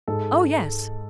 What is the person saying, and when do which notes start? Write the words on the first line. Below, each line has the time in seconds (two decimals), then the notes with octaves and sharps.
Oh, yes.
0.08 G#2 G#3 A4